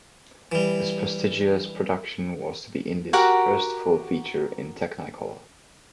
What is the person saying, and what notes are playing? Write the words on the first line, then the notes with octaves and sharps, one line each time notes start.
This prestigious production was to be India's first full feature in Technicolor.
E3 G3
F#4 G4 A#4 F#5